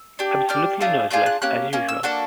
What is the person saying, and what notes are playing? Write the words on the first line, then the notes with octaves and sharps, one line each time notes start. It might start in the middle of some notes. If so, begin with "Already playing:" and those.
Absolutely noiseless, as usual.
Already playing: E6
D4 G4
D4 G4 F6
A3 D4 F4 G#4
A3 D4 F4 G#4 G6
F#6
A#3 C#4 G4 F#6
A#3 C#4
E6
A#3 D4 F#4 A4 F#6